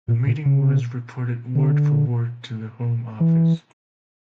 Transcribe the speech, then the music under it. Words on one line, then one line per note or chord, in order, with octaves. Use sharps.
The meeting was reported word for word to the Home Office.
A#2
A#2
C#3
D3
E3